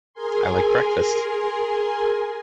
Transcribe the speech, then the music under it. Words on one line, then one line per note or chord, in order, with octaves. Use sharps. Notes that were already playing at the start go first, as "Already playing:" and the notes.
I like breakfast.
G#4 A#4 G#5 C6